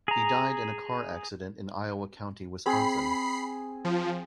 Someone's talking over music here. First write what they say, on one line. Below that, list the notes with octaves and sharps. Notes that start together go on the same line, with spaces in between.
He died in a car accident in Iowa County, Wisconsin.
G#4 A#5
C4 G#4 B5 C7
F3